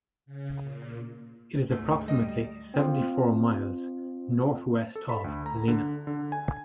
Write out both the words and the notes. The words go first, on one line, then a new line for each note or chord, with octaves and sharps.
It is approximately seventy-four miles northwest of Helena.
C#3
A#2
D2 G#2 A3
G3 D#5
C4 F4
A4
B5
D2
A#5
D3
D3
G#5